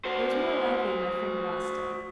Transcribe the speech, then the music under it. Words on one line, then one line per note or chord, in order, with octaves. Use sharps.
It was more likely my friend Rasta.
F#4 C5